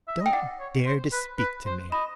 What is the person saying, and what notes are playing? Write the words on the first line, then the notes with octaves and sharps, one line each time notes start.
"Don't dare to speak to me."
E5
D#5
G5
D5 F#5
C#5
C5
B4
B4
C5
D#5 B5